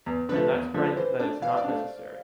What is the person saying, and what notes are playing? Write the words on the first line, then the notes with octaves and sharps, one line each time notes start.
And that’s right that it’s not necessary.
E2
D3 F3 A3 B4
E2
D3 F3 A3
E3 C5
A3 D4 D5
E3 F5
D5
A3 D4